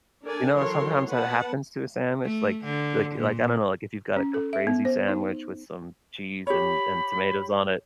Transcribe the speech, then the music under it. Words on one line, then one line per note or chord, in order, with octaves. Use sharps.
You know, uh, sometimes that happens to a sandwich, like like like, I don't know, like, if you've got a Caprese sandwich with some cheese and and tomatoes on it.
D4 A4 A#4 D5 G#5
E3 F#3 A4 A#4 C#5 C6
B3 B4 F#5 A5
A3
D3
A#2
C#4
A4
E5
B3
C5
D#4
G4 C#5 B5